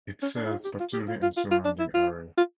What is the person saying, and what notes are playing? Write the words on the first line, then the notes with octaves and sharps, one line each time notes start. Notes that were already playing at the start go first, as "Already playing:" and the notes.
It serves Patuli and surrounding area.
C#4
D4
E4
F4
G4
F4
G4
F4
F4
F4
F4
D4
E4
F4
F4